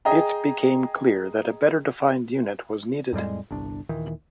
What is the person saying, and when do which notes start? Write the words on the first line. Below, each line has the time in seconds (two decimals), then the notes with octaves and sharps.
It became clear that a better-defined unit was needed.
0.05 G#4 D#5 G5 A#5
3.13 F2 A2 G3 G#3
3.51 G1 C2 D4
3.89 D#2 A#2 D#3 E3